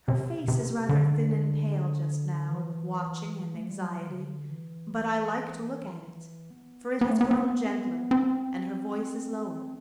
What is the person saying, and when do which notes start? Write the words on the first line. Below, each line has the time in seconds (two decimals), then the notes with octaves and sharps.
Her face is rather thin and pale just now, with watching and anxiety, but I like to look at it, for it has grown gentler, and her voice is lower.
0.08 C3
0.48 C3
0.89 D3
2.49 E3
3.55 A3
3.69 G3
3.82 F#3
3.96 E3
4.10 D3
4.50 E3
6.51 B3
6.91 C4
7.01 B3
7.10 A3
7.21 B3
7.31 B3
7.66 C4
7.71 B3
8.11 C4